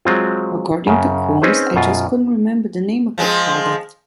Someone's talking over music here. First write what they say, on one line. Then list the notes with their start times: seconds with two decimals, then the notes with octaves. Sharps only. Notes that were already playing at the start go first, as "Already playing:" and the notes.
According to Coombs: I just couldn't remember the name of the product.
0.05 F#3 G#3 C4 F4
0.87 F#2 C#3
1.42 C4 C#4 D#4 G#4 B4 C5
1.76 F#2 B2 F4
3.18 F3 G#3 C4